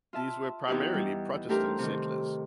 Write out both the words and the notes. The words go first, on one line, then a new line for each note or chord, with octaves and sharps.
These were primarily Protestant settlers.
F4 E5 A5
E2 D#4 E4 F#4 G4
G3
A3 D4 G4 A#4 C5
C3 D#3